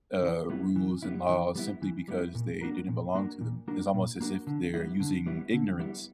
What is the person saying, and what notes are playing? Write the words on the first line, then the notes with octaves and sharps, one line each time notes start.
uh, rules and laws simply because they didn't belong to them, it's almost as if they're using ignorance
E3
G3 B3 E4
E3
G3 B3 E4
E3
G3 B3 E4
E3
G3 B3 E4
A#2
A#3 D4 F#4 A#4
A#2
A#3 D4 F#4 A#4
A#2
A#3 D4 F#4 A#4
A#2
A#3 D4 F#4 A#4
D3
G3 B3 E4
D3
G3 B3 E4
D3
G3 B3 E4